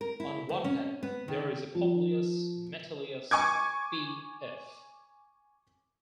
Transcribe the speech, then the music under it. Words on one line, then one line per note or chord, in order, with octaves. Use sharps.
On one hand there is a Publius Metilius P.f.
A#4
E4
D2
C#4
B3
D#3
F3
G#5 C#6 D6 G#6